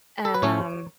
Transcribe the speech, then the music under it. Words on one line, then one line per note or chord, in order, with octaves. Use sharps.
And, um
A4
B4
A2 A3 C#4 C#5